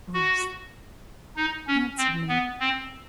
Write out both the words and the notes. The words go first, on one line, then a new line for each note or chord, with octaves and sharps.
"Doris, answer me."
F#4
D#4
C#4
C4
B3
C4